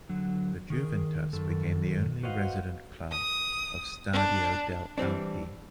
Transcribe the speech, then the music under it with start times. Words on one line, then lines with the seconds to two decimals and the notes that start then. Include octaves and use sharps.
The Juventus became the only resident club of Stadio delle Alpi.
0.09 D3 F#3
0.70 D#3 G#4 A#4
1.33 F#2 D#3 A4
2.23 F#4 B4 C5 D#5 F5 F#5
3.12 D#6
4.13 D4
4.98 E3 G3 C4 D4